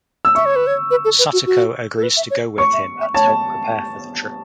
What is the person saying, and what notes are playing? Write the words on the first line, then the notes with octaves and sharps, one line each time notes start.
Satoko agrees to go with him and help prepare for the trip.
E6
E5 C#6
C#5
B4
C#5
B4
A4
B4
F#4
F#4
A4
B4
E5
C#5
C#5 C#6
E5
E5
C#5 A5